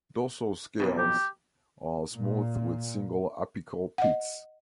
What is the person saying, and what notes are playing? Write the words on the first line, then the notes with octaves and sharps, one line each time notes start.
Dorsal scales are smooth with single apical pits.
B1 F2 B2
G4
A#2
D#5 F#5